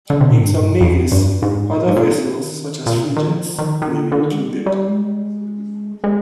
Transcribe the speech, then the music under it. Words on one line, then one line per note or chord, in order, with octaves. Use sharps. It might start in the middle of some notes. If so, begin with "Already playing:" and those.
In some navies other vessels, such as frigates, may be included.
D3
C3
A#2
G#2
G2
F2
G2
G#2
A#2
G#2
A#2
C3
D#3
A#2
C3
D3
D#3
F3
D#3
D#3
D3
D3
D#3
G#3
G3
G3
G#3
G#3